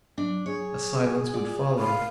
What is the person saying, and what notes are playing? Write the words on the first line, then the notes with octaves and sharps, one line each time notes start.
A silence would follow.
F#3 D4
G#4 C#5
F4 D5 F#5
A#4 F5 B5